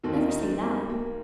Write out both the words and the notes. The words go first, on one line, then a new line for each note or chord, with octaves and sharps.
Never say that!
D#2 D#3 C4
F4
D#4
D#4
D4
C4
A#3
A#3